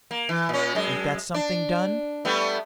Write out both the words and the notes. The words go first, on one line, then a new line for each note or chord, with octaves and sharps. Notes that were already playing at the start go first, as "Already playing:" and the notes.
Ain't that something done?
A#3
E3
A#2 C#4
F#2 G#3
D4
G3 A3 B3